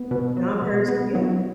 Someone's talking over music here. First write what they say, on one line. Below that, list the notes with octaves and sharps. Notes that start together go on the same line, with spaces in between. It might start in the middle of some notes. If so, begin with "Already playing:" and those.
now I'm perched, yeah.
Already playing: B3
B2
F#3
B2
B3
F#3